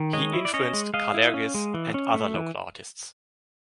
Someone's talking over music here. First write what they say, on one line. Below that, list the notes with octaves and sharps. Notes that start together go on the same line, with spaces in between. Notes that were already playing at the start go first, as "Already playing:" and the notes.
He influenced Kalergis and other local artists.
Already playing: D#3
G#3 C#5 D#5
E4
D5
C#4 C#5 D#5
G#3
G#3 D#5 F5
E4
C#4
G#3
E3
C#4
A3
E3